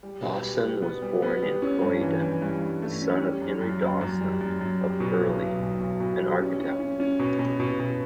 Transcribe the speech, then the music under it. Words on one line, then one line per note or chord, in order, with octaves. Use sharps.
Dawson was born in Croydon, the son of Henry Dawson, of Purley, an architect.
G3
B2
G3
G3
B3
G3
B3
G3
C#4
G2
E3
E3
G2
G2
A3
C#4
G3
F#2
F#2
F#2
F#2
G3
F#2
F#2
G3
B2
B1
B1
B1
B1
B2
G3
C#4
C#4
C#4
C#4
B2
B2
B2
B2